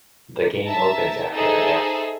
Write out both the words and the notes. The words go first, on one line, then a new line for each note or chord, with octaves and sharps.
The game opens after her death.
E5 A5 A#5
D#4 G#4 A4 C5 E5 A5